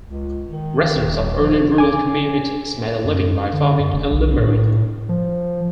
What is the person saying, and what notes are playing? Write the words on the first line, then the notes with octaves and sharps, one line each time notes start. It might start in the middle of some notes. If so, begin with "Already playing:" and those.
Residents of early rural communities made a living by farming and lumbering.
C#2
D#3
D#1
F3
G#5 D6
F#2
D3
F#2
F1
B1
A2
F3